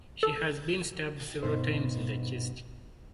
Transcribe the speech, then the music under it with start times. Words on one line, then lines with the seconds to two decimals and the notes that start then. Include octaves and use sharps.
She had been stabbed several times in the chest.
0.23 A4
1.43 G2 B2 D#4 C5